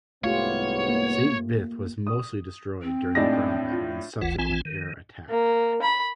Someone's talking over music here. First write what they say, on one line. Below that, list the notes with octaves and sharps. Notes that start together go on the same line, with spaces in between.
Saint Vith was mostly destroyed during the ground battle and subsequent air attack.
C2 G#2 A3 B3 F4 G4 C#5 F5
A#3
D#6
C4
A2 G#3 D4 D#4 D5 A#6
F4
F#1 D2 E3 F4 F#5
A#1 E3 C4 F4 G#5
D#3
A#3
B5